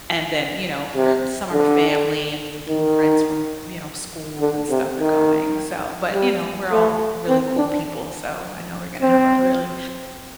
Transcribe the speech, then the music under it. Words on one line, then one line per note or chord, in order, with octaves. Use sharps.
And then, you know, for her some of her family and then some friends from, you know, school and stuff are going, so but, you know, we're all really cool people, so I know we're gonna have a really
C3
D3
D#3
D3
C3
D#3
G3
A3
C4
D4
C4